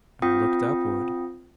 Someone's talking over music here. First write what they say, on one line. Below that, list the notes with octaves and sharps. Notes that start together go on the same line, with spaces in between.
I looked upward.
C4 F4 G5 D#6 A#6